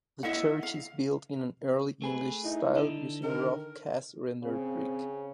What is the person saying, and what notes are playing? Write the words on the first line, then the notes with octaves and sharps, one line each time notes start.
The church is built in an Early English style using roughcast rendered brick.
E4 D#5 E5 F#5
F5
A3 G#4 B4
D#4 E4
D3
D#3 A#4
C#3 C4